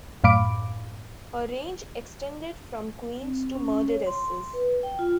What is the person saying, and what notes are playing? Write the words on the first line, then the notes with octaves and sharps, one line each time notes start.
Her range extended from queens to murderesses.
F#2 A2 F5 B5 D6 D7
C4
C#4
C#5
C6
B4
G5
F4